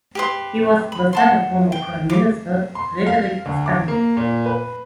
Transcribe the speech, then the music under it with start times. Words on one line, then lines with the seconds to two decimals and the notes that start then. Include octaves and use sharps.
He was the son of former Prime Minister Frederik Stang.
0.15 G4 B4 C6
0.92 B5
1.13 F#5 A5 C6
1.72 G5
2.10 D6
2.75 C6
3.07 F5
3.46 D2
3.66 D6
3.88 A#3
4.17 A#2
4.46 B4